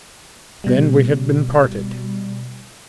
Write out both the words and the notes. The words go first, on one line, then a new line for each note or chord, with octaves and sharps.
Then we had been parted.
B2 G3